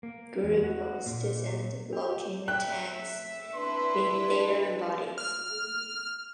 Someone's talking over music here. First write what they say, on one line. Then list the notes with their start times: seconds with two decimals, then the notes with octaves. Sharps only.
Groups of citizens blocking tanks with their bodies.
0.03 A#3
0.43 E2
0.64 F#4
1.06 A#2
1.93 G4
2.48 E5 G5 F#6
3.54 D4 E4 B4 C6
5.18 F6